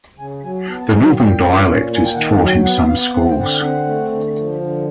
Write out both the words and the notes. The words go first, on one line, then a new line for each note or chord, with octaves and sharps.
The northern dialect is taught in some schools.
C#3 G#5
F#3 G#5
B3 A5
A5
F#3 G#5
G5
A#2 G5
C#4
A#2
A#3 G#5
G5
D#3 F#5
A5
F#3
G5
B3 F#5
B3 F5
C4 F#5
G5
D3 F#5
G5
C4 F#5
A3
D3
F3
D3